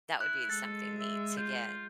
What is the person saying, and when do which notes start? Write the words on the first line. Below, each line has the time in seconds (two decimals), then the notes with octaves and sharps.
That would be something neat to get
0.21 E4 F#6
0.49 G#3 A4 A6
0.99 E5
1.37 F4 G6